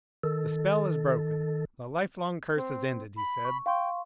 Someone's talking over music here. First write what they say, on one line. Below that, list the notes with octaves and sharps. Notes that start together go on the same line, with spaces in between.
"The spell is broken, the life-long curse is ended!" he said.
D#3 A4
C4
B5
C#6
F5 G5 C6 C#6